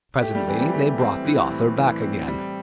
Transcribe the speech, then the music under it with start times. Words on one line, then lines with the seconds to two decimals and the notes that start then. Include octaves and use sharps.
Presently they brought the author back again.
0.22 A3 G4
0.35 G3
0.48 E3 C4
0.61 G3
0.74 A3 G4
0.99 C4
1.25 E3
1.51 A2
1.77 E3
2.02 C4
2.28 G3